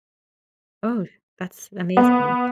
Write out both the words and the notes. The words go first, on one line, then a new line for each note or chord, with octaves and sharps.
Oh, that's amazing.
B3